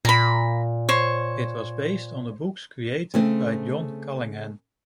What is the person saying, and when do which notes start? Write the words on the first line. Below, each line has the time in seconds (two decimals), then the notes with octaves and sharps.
It was based on the books created by John Callahan.
0.05 A#2 A#5 B5
0.89 C5 C#5
3.14 C#3 A3 C4